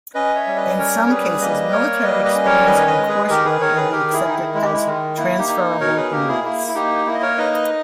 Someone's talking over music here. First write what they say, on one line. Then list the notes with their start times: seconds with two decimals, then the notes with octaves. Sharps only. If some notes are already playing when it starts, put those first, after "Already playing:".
In some cases, military experience and coursework may be accepted as transferable units.
0.14 C#4 B4 D#5
0.35 C#5 E5
0.47 G3
0.56 B4 D#5
0.78 C#4 A#4 C#5
1.06 C#5
1.09 G3 G#4 B4
1.41 A#3 B4 D#5
1.72 A#3 A#4 C#5
2.04 G3 B4 D#5
2.24 B4 D#5
2.35 C#4
2.45 A#4 C#5
2.66 D#3 B4 D#5
2.78 C#5
2.87 B4 D#5
2.98 G#3
3.08 G#4 B4
3.29 D#3 G4 A#4
3.45 G#4 B4
3.61 D#3 A#4 C#5
3.76 G#4 B4
3.92 D#3 G4 A#4
4.13 E4 G#4
4.24 D#3 D#4
4.34 E4
4.54 G#3 E4
4.64 G4
4.74 E4
4.87 D#3
5.17 A#3 E4
5.38 D#4 G4
5.49 D#4
5.80 B2 A#4 C#5
5.96 G#4 B4
6.12 A#3 G4 A#4
6.28 E4 G#4
6.44 A#3 E4
6.68 E4
6.75 A#3 D#4 G4
7.06 A#3 E4
7.15 D#5
7.22 A#4 C#5
7.37 D#4 B4 D#5
7.53 B4 D#5